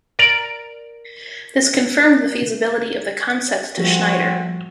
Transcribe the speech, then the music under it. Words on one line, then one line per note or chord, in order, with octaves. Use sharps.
This confirmed the feasibility of the concept to Schneider.
A#4 D5 A#5
F3 G3 A3 A#3 C4 F#4